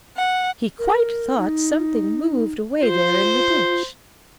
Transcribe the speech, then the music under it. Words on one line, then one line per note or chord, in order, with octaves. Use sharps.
He quite thought something moved away there in the ditch.
F#5
A#4
D#4
F4 C5